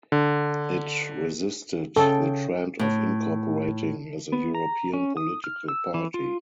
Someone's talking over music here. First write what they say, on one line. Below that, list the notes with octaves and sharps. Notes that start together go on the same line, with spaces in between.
It resisted the trend of incorporating as a European political party.
D3
C#3 A4 G5
A2
B3
A#5
C#4
D#6
F6
E6
E3
F4